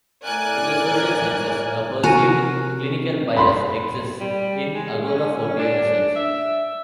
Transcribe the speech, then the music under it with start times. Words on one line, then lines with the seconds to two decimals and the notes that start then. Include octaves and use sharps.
In the social sciences, a perceived clinical bias exists in agoraphobia research.
0.24 A2 A#4 D5 G#5 F#6
2.03 C3 F#4 A#4 G#5 A#5
3.37 B5 C6
4.20 G3
4.75 G#3
5.06 C#4
5.59 D4
6.16 E5